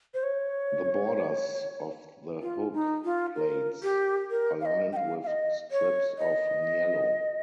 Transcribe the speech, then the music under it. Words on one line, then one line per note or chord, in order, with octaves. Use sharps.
The borders of the hook plates are lined with strips of niello.
C5
C#5
F4
D#4
F4
A#4
G4
A#4
F5
D#5
G5
F5
F5
D#5
C#5
D#5